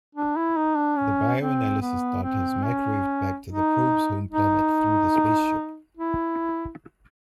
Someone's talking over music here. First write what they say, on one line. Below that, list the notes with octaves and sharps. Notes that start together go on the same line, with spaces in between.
The bio-analysis data is microwaved back to the probe's home planet through the spaceship.
D4
E4
D#4
D4
C#4
C4
B3
C4
C#4
D#4
D#4
E4